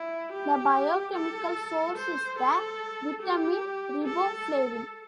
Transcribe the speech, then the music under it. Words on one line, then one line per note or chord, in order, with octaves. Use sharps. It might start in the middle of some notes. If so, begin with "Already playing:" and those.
The biochemical source is the vitamin riboflavin.
Already playing: E4
G4
A4
C5
A4
G4
A4